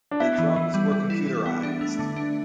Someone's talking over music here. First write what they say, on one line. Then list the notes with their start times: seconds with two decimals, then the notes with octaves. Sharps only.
The drums were computerised.
0.11 D4
0.20 B3 E4
0.38 E3
0.56 E3
0.74 G3
0.92 G3
1.10 E4
1.27 E4
1.46 B3
1.63 D4
1.81 A3
1.99 D3
2.16 D4